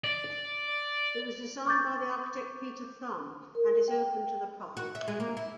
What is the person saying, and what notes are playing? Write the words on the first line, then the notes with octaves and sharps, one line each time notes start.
It was designed by the architect Peter Thumb and is open to the public.
D5
C#6 D6 G6 A6
A#4
G5
F#4
E5
G#3
A#3
E4